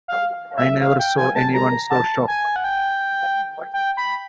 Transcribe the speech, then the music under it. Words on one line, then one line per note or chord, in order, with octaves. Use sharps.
I never saw anyone so shocked.
F5
E5
F5
G5
G#5
A5
A#5
A5
G#5
F#5
G5
G5
B5